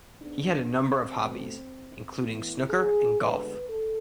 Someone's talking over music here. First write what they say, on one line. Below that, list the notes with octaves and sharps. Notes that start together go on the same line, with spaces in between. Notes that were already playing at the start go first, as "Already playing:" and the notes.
He had a number of hobbies, including snooker and golf.
G#2 G#3 B3 D4
C4
B2 A3
A2 E3 B3 E4
G#4
D2 D3 G#3 B3 B4
A4